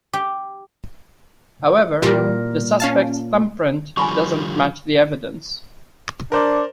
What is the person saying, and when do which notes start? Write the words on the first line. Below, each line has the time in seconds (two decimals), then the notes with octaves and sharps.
However, the suspect's thumbprint doesn't match the evidence.
0.13 G4
2.02 A#2 E3 G3 A#4
2.80 C#4 F5 A5
3.97 D3 F3 G3 G#5 B5 C#6
6.32 D4 A#4 C5 D5